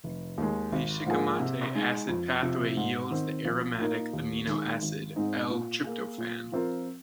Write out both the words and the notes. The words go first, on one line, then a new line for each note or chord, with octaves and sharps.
The Shikimate acid pathway yields the aromatic amino acid, L-tryptophan.
F1
D#2 D#3 G#3
G#1
G#2 F3 A#3 G#4
C3
G#3 D#4
F2
C3 F3
G#2
D#3 C4
A#1
A#2 A#3 D#4 A#4
D#2
D#3 G#3 D#4
G#1
G#2 G#3 C4 D#4
A#2
A#3 G#4
A#2
F3 C4 F4 A#4